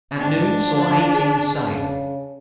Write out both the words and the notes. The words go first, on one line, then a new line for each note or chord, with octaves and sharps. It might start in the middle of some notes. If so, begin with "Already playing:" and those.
At noon saw eighteen sail.
G#2 D4
F3
G#4
C#3